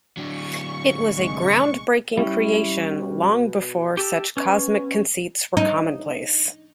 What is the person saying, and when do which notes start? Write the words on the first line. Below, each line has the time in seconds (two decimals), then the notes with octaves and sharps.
It was a groundbreaking creation long before such cosmic conceits were commonplace.
0.17 D3 F#3 C#6
1.15 A#1 C3 G#3
2.17 G3 C#4 E4
2.98 B2
3.97 G4 A4
4.37 B3 C#4
5.57 D#4